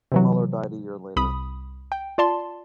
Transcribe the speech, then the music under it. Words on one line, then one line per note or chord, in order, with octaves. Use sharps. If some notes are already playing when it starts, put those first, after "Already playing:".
Mueller died a year later.
C3 E3 F#3
C2 B5 D#6
G5
F4 D5 A5 C6